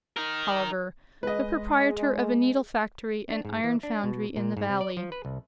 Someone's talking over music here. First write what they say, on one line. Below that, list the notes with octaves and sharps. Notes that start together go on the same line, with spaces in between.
Oliver, the proprietor of a needle- factory and iron-foundry in the valley.
D#4 A#4
G#3 B4 D#5
D4
G#2
E3
D4
B2
A#2
G#2
C3
D5
F3
B4
C2